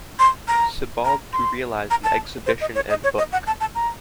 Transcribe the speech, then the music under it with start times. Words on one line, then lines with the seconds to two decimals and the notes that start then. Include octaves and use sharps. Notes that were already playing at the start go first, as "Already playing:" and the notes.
Sebald to realise an exhibition and book.
0.19 C6
0.48 A#5
1.05 A#5
1.33 C6
1.91 A#5
2.04 A5
2.46 C5
2.61 D#5
2.75 C#5
2.90 D#5
3.04 C#5
3.18 D#5
3.32 F#5
3.47 A5
3.60 A5
3.75 A#5